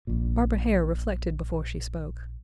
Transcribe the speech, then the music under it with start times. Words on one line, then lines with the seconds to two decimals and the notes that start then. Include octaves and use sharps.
Barbara Hare reflected before she spoke.
0.07 A#1 A#2